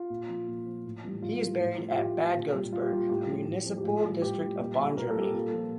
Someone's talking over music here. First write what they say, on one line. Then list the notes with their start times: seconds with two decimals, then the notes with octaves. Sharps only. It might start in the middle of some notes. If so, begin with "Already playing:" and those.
He is buried at Bad Godesberg, a municipal district of Bonn, Germany.
Already playing: F4
0.10 A#2
0.28 F3
0.48 A#2
0.66 F3
0.85 A2
1.03 E3 G3
1.22 A2 F4
1.41 E3 G3
1.60 A2
1.79 F3
1.91 F4
1.97 A2 G4
2.16 F3
2.35 A#2
2.54 G3
2.73 A#2 F4
2.82 G4
2.91 G3 F4
3.09 A2 G4
3.29 F3
3.48 A2
3.66 F3
3.78 G4
3.84 A2 F4
4.04 G3
4.22 A2 G4
4.41 G3
4.60 A#2
4.78 G3
4.97 A#2 A#4
5.09 A4
5.16 G3
5.22 G4
5.34 A#2 F4 A4
5.53 F3